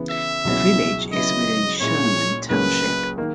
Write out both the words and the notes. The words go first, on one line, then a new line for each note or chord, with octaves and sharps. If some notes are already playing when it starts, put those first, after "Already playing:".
The village is within Sherman Township.
Already playing: C#3 E3 B3 E4
E5
C#2 B2 F#3 C#4 E4
C#3 F#3 B3 E4 D#5
A#2 G#3 C#4 E4 C#5
C#2 C#3 F#3 A#3 C#4 B4
D#3 A#3